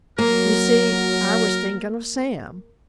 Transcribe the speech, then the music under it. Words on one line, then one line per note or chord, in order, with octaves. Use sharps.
You see, I was thinking of Sam.
F#3 A#3 A#4